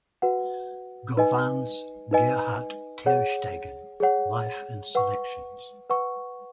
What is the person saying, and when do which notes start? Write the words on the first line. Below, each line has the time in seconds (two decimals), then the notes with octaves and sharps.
Govan's, "Gerhard Tersteegen: Life and Selections".
0.22 F#4 B4 F#5
1.17 D#4 B4 D#5 G#5
2.11 D#4 B4 D#5 G#5
3.06 G#4 C#5 F#5
4.00 G#4 C#5 F#5
4.95 B4 F#5 C#6
5.90 B4 F#5 C#6